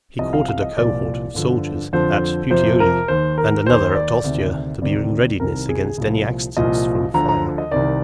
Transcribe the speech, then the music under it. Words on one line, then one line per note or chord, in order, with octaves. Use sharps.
He quartered a cohort of soldiers at Puteoli, and another at Ostia, to be in readiness against any accidents from fire.
C2 C3 F3 D#5
F5
F5
D#5
C2 A#2 F3 D5
G2 D3 F3
F2 D3 F3 C5
F2 C3 F3 C5
A#4
D#2 D#3 C5
A#4
D#2 D#3 C5
D5
D2 C3 D#3
D2 C3 D#3 D5
C2 C3 D#3 A#4
G#4
C2 A#2 F3
C2 A#2 F3 D#5
D2 D3 F3 A#5
A#5
D#5
C2 C3 D#3 D5